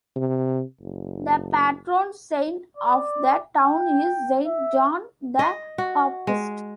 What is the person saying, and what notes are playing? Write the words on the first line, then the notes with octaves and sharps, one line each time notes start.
The patron Saint of the town is Saint John the Baptist.
C3
F#1
D5
G5
E5
D#5
F#4
G#3